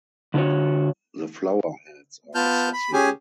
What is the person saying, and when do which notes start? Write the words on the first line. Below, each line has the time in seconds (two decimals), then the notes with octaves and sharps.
The flower heads are sessile.
0.34 D3 D4 F4 F#4 C#5
2.35 B3 F4 A5 F6 G6
2.73 B5
2.93 C#4 G4 G#4 G#5